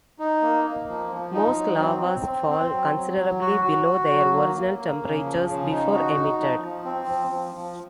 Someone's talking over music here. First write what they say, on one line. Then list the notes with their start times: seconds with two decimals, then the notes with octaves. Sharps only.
Most lavas fall considerably below their original temperatures before emitted.
0.19 D#4
0.42 A#3
0.65 A#3
0.88 F3
1.12 F3
1.34 D#4
1.57 F#3
1.80 C4
2.04 C4
2.26 C4
2.49 C4
2.72 F#3
2.95 F#3
3.18 F#3
3.41 F#4
3.64 F#4
3.86 F#4
4.10 F#3
4.33 A#3
4.56 A#3
4.79 A#3
5.02 C#3
5.25 F3
5.48 C#3
5.71 D#4
5.94 F#4
6.17 D#4
6.40 F3
6.63 F3
6.85 C4
7.08 F3
7.31 F3
7.55 F3